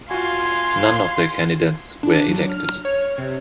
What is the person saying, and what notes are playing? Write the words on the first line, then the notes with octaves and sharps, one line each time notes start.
None of their candidates were elected.
F4 F#4 F5 G#5 C6
D4
F#3
F6
C#5
C3